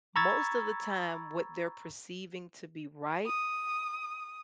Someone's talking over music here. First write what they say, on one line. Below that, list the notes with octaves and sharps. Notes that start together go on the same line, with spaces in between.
most of the time what they're perceiving to be right
A#5 B5 C#6 E6 G#6 A6
D#6